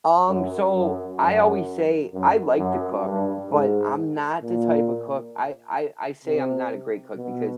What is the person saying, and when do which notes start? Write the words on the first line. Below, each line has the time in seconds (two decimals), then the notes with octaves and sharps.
Um, so I always say I like to cook, but I'm not the type of cook I I I say I'm not a great cook because
0.29 F#2
0.75 F#2
1.20 F#2
2.13 F#2
2.58 F#2
3.04 G2
3.50 G#2
4.42 A#2
6.25 C3
7.17 B2